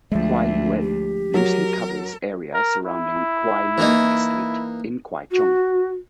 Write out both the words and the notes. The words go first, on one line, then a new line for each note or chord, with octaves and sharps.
Kwai Luen loosely covers area surrounding Kwai Luen Estate in Kwai Chung.
D2 F3 G#3 E5
G4
F#3 A#4
A#4
E4
E3 A#3 D#4
F#4